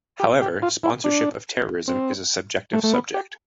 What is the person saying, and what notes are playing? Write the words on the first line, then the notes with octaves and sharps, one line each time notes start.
However, sponsorship of terrorism is a subjective subject.
G4
G4
F4
E4
D4
C4
A3
A3
B3
G4